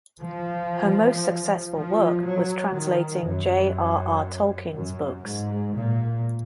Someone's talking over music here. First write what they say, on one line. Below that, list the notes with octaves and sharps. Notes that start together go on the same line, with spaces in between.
Her most successful work was translating J. R. R. Tolkien's books.
F3
F3
F#3
D#3
F#2
F#2
G#2
A#2